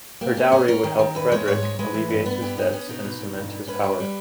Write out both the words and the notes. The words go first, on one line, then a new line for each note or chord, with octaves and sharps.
Her dowry would help Frederick alleviate his debts and cement his power.
A#3 G4
C#4
C#4 G#4
C#4 A#4
D#3
D#3
E2 B4
G#3 C#5
G#2 C#5
G#3
G#3 B4
E3
G2
B3
G2 G4
B3 D#4
B3 C#4
B2 D#4
B2
B2
G2
G2
C#4 B4
G3
G3